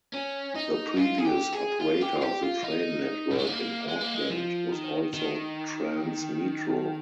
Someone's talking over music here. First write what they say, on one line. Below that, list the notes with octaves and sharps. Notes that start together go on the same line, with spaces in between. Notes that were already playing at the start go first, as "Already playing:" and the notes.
The previous operator of the train network in Auckland was also Tranz Metro.
C#4
D#4
F4
G#4
G4
G#4
F4
G4
F4
G4
F4
D#4
G3
G#3
A#3
G#3
A#3
G#3
F3
D#3
D#3